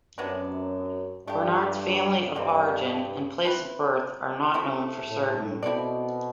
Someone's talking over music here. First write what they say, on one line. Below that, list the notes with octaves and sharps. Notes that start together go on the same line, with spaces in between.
Bernard's family of origin and place of birth are not known for certain.
F#2 C3 F#3 B3 D4
G2 A3 D4 G4
G2 D3 G3 C4
C4 E4 B4
A3 C4 E4
A2
B2 C4 E4 A4 D5